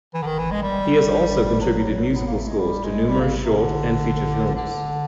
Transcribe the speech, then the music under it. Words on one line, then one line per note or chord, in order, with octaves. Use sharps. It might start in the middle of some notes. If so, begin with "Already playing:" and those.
He has also contributed musical scores to numerous short and feature films.
E3
D3
D#3
E3
G#3
G3
F#3
B3
A#3
A3
G#3
G3
G#3
G3
C#3
C3
D3
D3